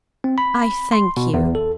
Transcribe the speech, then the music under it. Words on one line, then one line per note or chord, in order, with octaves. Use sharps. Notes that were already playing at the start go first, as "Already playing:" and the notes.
I thank you.
C4
B5
C6
B2
E2
A4